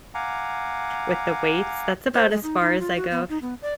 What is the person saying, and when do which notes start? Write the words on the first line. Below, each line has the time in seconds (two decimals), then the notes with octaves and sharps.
with the weights, that's about as far as I go.
0.15 F5 F#5 G#5 A#5 D6
2.14 C5
2.31 G#3
2.43 D#4
2.60 D#4
2.80 F4
2.96 F#4
3.11 B3
3.29 D#4
3.42 B3
3.62 D5